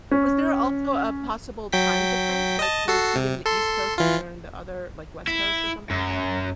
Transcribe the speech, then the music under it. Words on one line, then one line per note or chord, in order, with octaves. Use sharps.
Was there also a possible time difference? Like, was he in the East Coast and you're in the other, like, West Coast, or something like that?
C#4
F#3 G5 B6
D#5 A5
F#4 A4 C7
C3
A4 C6
E3 F4
E4
F#2